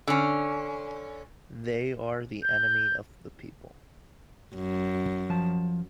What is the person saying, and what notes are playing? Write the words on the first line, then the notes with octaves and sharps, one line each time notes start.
They are the enemy of the people.
D3 C#4
G6
F#2
F3 A5